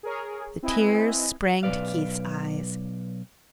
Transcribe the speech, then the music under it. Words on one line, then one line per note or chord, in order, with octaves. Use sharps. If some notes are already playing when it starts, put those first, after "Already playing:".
The tears sprang to Keith's eyes.
G#4 A#4 C#5
C4 E4 B4 D#5 G#5
B1 F2 B4 D5 F5